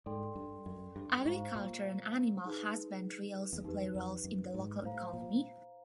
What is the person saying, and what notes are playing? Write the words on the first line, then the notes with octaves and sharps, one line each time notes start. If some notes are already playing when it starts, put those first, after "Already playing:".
Agriculture and animal husbandry also play roles in the local economy.
G#2 A4 D5 G5 C6
G2
F#2
G2
G#2 C5 F5 A#5 C#6
A#2
D#4 G#4 B4
E2
F2 D#4 G4 B4
F2
F#2
G#2
A2 C5 F5 A#5
A#2